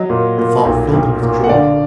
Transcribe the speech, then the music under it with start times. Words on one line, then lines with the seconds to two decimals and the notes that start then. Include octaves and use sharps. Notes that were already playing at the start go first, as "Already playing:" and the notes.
The thought filled them with joy.
Already playing: F#3 D#5
0.10 A#2
0.38 A#2
0.65 B1
0.93 B1
1.22 A#2
1.44 F#5
1.49 D3 D5 F5